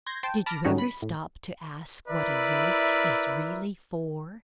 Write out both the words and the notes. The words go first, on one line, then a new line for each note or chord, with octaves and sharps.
Did you ever stop to ask what a yoke is really for?
C6 G6 G#6 A#6
C5 G5 A5
A5 B5 D6 F6 A#6
G#2 D3 G3 C#4 D#4 F#4
B5
A2
E4 A#4 B4 D5 E5